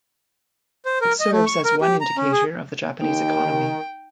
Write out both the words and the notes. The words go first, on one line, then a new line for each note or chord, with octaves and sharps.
It serves as one indicator of the Japanese economy.
C5
A#4
D#5
A3
C#6
A#4
G4
A#5
C#4
G#4
D#2 D#3 D#4 G5